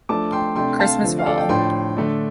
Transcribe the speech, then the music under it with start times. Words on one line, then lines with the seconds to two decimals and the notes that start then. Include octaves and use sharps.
Christmas Vol.
0.09 F3 A3 D4 A5 D6
0.32 G5 C6
0.56 C3 A3 D4 G5 C6
0.79 F5 A5
1.03 D3 F3 A3
1.19 F5
1.26 A4 D5
1.37 D5 G5
1.49 A2 F3 D4 G5 C6
1.97 D3 A3 D4